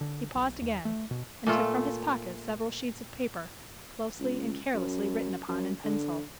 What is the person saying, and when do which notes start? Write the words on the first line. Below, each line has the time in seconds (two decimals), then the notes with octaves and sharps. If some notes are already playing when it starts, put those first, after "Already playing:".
He paused again and took from his pocket several sheets of paper, closely and carelessly written upon in pencil.
0.01 D3
0.35 B1
0.62 D#2
0.85 A3
1.11 B2
1.46 A#2 A3 F4
4.19 C#2
4.74 F#2
5.48 F#2
5.84 D3